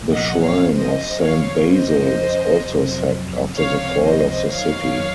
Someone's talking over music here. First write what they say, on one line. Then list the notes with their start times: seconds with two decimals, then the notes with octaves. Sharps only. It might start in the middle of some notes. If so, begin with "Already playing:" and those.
The shrine of Saint Basil was also sacked after the fall of the city.
Already playing: C2 A#2 F3
0.12 D#5 F#5
0.43 C#5 F5
0.74 F#2 F3 C5 D#5
1.21 C#5 F5
1.68 F2 C#3 F3 C5 D#5
2.62 F2 C3 F#3
3.56 C#2 C3 F3 C#5 F5
4.02 C5 D#5
4.49 F#2 D#3 F#3 C#5 F5